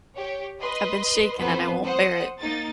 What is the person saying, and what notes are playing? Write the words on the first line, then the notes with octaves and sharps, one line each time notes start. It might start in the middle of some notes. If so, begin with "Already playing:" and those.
I've been shaken, and I won't bear it!
G4 C#5
B4 D#5 C6
F2 B3 B4 C5
C5 F#5 D#6
A#3 D#4 A6